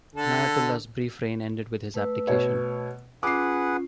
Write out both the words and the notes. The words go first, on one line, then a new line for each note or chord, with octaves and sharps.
Inayatullah's brief reign ended with his abdication.
D3 A4
A3 B4 E6
B2 C#5
C#4 F4 G#4 B4 F#5 D6 C7